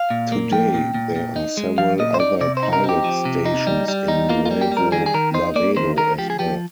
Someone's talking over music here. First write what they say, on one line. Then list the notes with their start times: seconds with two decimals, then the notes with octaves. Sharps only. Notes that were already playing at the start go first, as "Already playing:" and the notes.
Today, there are several other pirate stations in Nuevo Laredo as well.
Already playing: F5
0.10 A#2
0.32 A#3
0.52 F3 G5
0.74 A#2
0.94 A#2
1.16 A#2
1.36 D#4
1.57 G#3
1.78 F3 F5
1.99 A#2 D#5
2.14 C5
2.20 D#4 D5
2.41 C3 D5
2.57 C5
2.63 D#4
2.73 A#4
2.84 C4
2.89 G4
3.04 F3
3.25 C3
3.45 D#4
3.67 G3
3.88 G3
4.08 D#4
4.29 A#3 F4
4.46 F4
4.51 G3
4.61 G4
4.72 G3
4.77 A#4
4.92 D#3 G#4
5.06 G#4
5.14 D#3 A#4
5.34 D#4 C5
5.56 A#3 D5
5.76 D#3 C5
5.97 D#3 A#4
6.18 F3 G4
6.30 G#4
6.39 F3 G4